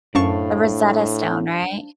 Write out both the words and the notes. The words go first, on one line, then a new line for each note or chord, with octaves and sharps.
the Rosetta Stone, right?
F#2 A2 D4 C5 F5 A5 C#6